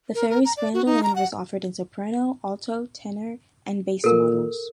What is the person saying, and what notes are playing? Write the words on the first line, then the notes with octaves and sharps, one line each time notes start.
The Farris banjolin was offered in soprano, alto, tenor, and bass models.
A#4
A#4
A#5
D5
F#4
D#4
A#5
F#5
A#2 A4 A#4